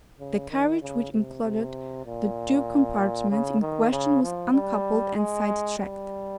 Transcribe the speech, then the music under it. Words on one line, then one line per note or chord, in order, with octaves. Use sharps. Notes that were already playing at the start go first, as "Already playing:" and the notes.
The carriage which included the two compartments in question was uncoupled and side-tracked.
C#3
D#3
C#3
C3
C3
A#2
C#3
D#3
C#3
F3
G3
G#3
G3